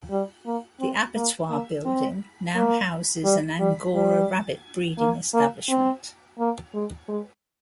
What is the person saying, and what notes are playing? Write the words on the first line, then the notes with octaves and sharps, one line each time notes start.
The abattoir building now houses an angora rabbit breeding establishment.
G3
A#3
C4
A#3
A#3
C4
A#3
G3
G3
G3
A#3
A#3
C4
A#3
G#3
G#3